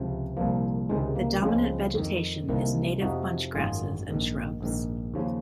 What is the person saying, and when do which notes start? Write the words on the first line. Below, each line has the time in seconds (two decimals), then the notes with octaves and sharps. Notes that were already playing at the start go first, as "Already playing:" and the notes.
The dominant vegetation is native bunchgrasses and shrubs.
Already playing: C#2 C3 F3
0.37 C2 A#2 F3 A#3
0.90 C#2 C3 D#3 G#3
1.16 A#3
1.42 C#2 C#3 F3 G#3 C4
1.95 F2 D#3
2.49 C2 C3 D#3 A#3
3.01 F2 C3 F3 D#4 F#4
3.55 G#1 F#2 D#3 F4 G#4
4.08 A#1 G#2 D#3
4.61 A#1 G#2 D#3
5.14 D#2 C#3 F3